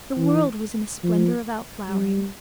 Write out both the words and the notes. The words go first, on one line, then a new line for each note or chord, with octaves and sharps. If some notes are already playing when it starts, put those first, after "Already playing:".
The world was in a splendor of out-flowering.
E3
F3
G3